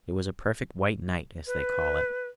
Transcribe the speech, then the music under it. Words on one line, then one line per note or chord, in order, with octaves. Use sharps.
It was a perfect white night, as they call it.
B4